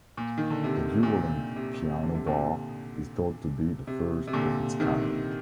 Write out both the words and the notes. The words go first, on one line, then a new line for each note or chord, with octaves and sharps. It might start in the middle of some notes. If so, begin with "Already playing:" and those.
The dueling piano bar is thought to be the first of its kind.
A#2
D#3
D3
C3
A#2
C3
C3
D3
C3
A#2 D3
C3
C3
A#2 D3
C3 D#3